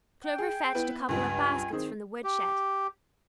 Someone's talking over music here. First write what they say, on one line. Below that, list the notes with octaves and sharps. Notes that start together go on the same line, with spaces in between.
Clover fetched a couple of baskets from the wood-shed.
G5
G#4
B3 E4 B4
C#2 G2 G#5
D#3 C4 G#4
G4